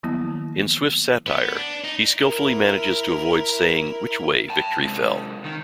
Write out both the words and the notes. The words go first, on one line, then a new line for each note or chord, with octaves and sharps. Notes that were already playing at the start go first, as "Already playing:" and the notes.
In Swift's satire, he skilfully manages to avoid saying which way victory fell.
D#3 F3 F#3 A#3 B3 E4
B3
D4
D#4
E4 A#4
G5 A5
C3 G#3
D#3 D#4